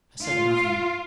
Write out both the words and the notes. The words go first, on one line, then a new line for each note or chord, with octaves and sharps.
I said nothing.
F4